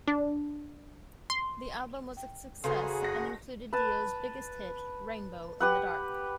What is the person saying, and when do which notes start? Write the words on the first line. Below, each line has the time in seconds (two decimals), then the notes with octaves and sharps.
The album was a success and included Dio's biggest hit, "Rainbow in the Dark".
0.08 D4
1.30 C6
2.17 G5
2.64 C#3 F#4 G#4 A4 B4 C5 A#5 C6
3.02 F#1 F#5 A#6
3.73 B4 A5
5.60 G4 B4 F#5